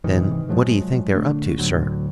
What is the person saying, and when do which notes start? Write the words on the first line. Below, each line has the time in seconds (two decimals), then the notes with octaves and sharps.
"Then what do you think they're up to, sir?"
0.04 G#2 C3 D#3 E3
0.49 A#2 F3 F#3 G#3
1.13 D3 A3 D4
1.59 D2 A2 F#3